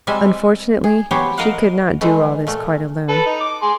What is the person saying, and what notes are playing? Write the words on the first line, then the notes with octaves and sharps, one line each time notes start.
Unfortunately, she could not do all this quite alone.
C3 G3 G#3 E5 G#5
G#4
E3 F#3 B3 G4 C5 C#5
A#4 D#5 F5 F#5
E3 G#3 A3
A#2 A3
A4 B4
D#4
D6
G#4 C6